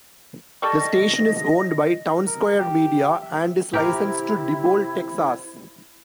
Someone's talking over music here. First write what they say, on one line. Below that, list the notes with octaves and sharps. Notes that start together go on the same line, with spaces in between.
The station is owned by Townsquare Media and is licensed to Diboll, Texas.
G3 A4 D#5 C#6
A#4
G4
E5
C3 E4 G4 A#4